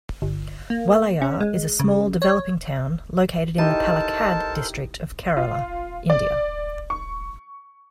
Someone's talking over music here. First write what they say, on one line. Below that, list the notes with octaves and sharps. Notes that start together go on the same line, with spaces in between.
Walayar is a small developing town, located in the Palakkad district of Kerala, India.
G1
A#3
C#4
G#3
C#3
C#5
D#4 E4 G4 A4 A#4 C5 D#5 A5
F4
D5
C#6